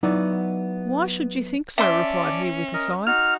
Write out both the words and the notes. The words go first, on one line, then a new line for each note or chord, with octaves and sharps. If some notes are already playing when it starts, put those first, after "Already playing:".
"Why should you think so!" replied he, with a sigh.
F#3 B3 D#4 E4 D5
C#4 D5 E5 A5 C6 D6
A#4 D#5
D#4 F#4 F6